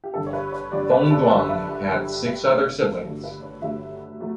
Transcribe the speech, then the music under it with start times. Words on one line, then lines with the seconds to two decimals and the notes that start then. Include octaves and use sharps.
Thongduang had six other siblings.
0.04 G4
0.14 G2 D3 G3 A4
0.27 C#5
0.33 B4
0.52 C#5
0.72 G2 D3 G3 D5
0.91 B4
1.10 A4
1.30 G2 D3 G3 B4
1.49 E5
1.68 A4
1.88 G2 D3 G3 G4
2.07 G4
2.26 E5
2.46 G2 D3 F#3 A3 C#5
2.66 B4
2.85 A4
3.04 G2 D3 F#3 A3 A4
3.24 B4
3.42 C#5
3.62 G2 D3 F#3 A3 E5
4.20 F#3 A3